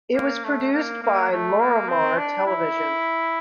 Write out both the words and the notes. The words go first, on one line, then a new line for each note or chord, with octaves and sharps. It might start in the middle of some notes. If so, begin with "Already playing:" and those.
It was produced by Lorimar Television.
A#3
A3
A#3
A#3
A3
A#3
C4
D4
E4